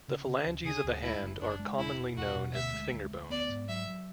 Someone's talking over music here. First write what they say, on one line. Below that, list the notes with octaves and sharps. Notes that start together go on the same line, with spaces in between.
The phalanges of the hand are commonly known as the finger bones.
C#3
C#3
D2
C#3 G#4
D2
G#3 E4
F#1
F#1 D4
G#3
E1 E4
B2
E2 F#4
B2
D2 E5
G#3
D2
D2
B3 D5
G#2
F#3 E5
F#3